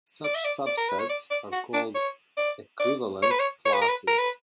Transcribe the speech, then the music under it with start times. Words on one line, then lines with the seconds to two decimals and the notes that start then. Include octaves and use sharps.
Such subsets are called "equivalence classes".
0.24 D5
0.34 E5
0.44 D5
0.66 D5
0.77 A#4
0.89 B4
0.99 C#5
1.09 D5
1.30 D5
1.52 F#4
1.73 D4
1.95 C#5
2.37 D5
2.80 D5
3.23 C#5
3.31 B4
3.39 C#5
3.65 C#5
3.73 B4
3.81 A#4
3.89 B4
4.07 A#4
4.18 B4